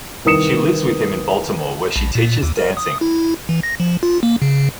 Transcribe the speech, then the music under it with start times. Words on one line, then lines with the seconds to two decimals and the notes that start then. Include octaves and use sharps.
She lives with him in Baltimore where she teaches dancing.
0.25 C2 D#3 B4 D#6 C#7 E7
1.96 A#1
2.15 A#2
2.43 D#2
2.57 A#4
2.77 D#6
3.01 E4
3.49 E3
3.63 A#6
3.80 F3
4.03 F4
4.23 A#3
4.42 C#3